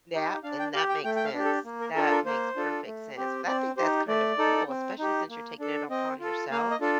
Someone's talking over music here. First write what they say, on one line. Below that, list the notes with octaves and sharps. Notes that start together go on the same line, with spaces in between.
Yep, and that makes sense. That makes perfect sense, but I think that's kind of cool, especially since you're taking it upon yourself.
D#4 G4
D4 F5
G5
G4 F5
G5
A3 G5
G5
F5
D4 G4
A4
A#3
A#4
D4 F4 A4 A#4
A#4
A#3 C5
D4 F4 A4
A3
C4 G4
C4 D5
D#4 G4 C5
A3 D5
D#4 A4
C4
D#4 G4
A#3
D4 A4
C4 D#5
F4 A4
A#3 F5
D#5
D4 F4 A4